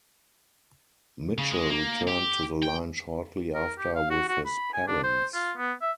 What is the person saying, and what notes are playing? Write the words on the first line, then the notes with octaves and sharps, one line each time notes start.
Mitchell returned to the line shortly after with his parents.
C#3
G#3
A#3
G4
G5
A#4
G4
F5
F#4
F#4
B5
G#5
D4
C5
F4
B3
E5